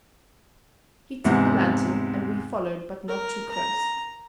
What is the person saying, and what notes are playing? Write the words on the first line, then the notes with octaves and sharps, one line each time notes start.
He took a lantern and we followed, but not too close.
E2 G#2 C3 F#5
A#4
A#5